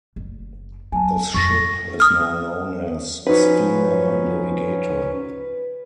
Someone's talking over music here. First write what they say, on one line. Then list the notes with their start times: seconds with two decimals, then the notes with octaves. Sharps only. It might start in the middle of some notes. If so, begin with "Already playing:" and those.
The ship is now known as "Stena Navigator".
0.16 F#1
0.92 F#3 G#5 A5
1.34 F2 C#6 A6 A#6
2.00 D#6 F6
3.27 F3 C#4 D#4 F#4 B4 C5